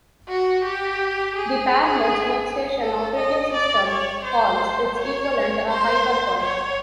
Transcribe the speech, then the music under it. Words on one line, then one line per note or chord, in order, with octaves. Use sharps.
The Parallels Workstation operating system calls its equivalent a "hypercall".
F#4
G4
G#4
A4
D#5
D5
C#5
C5
C#5
C5
C#5